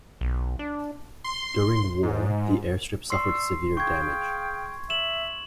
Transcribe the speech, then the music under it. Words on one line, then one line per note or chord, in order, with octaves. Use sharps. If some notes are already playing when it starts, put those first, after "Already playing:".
During war, the airstrip suffered severe damage.
B1
D4
C6
G#2
D5 C6 C#6 E6 C7
G#4 F5 G5 C#6 G#6
E5 E7 F#7